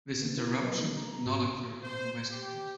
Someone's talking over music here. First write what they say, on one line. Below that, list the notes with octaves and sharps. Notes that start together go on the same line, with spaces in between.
This interruption did not occur on the West Coast.
A#3 B3
E4 A#4
F#3 B3 A#4 B4 D#5
G3 A#3 D#4
A#5
G#2 F#4
C5
G4